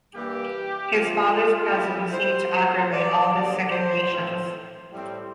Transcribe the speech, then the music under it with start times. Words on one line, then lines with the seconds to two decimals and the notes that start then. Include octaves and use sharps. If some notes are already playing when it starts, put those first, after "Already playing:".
His father’s presence seemed to aggravate all his sick impatience.
0.12 G2 E3 G3 A#3 G4
0.92 D3 F3 A#3 F4
1.71 A#2 G3 C4 E4
2.12 C5
2.50 A#2 F3 A#3 C5
2.91 D5
3.31 D3 G3 A#3 D5
3.70 C5
4.11 A2 F3 C4
4.89 A2 G3 C4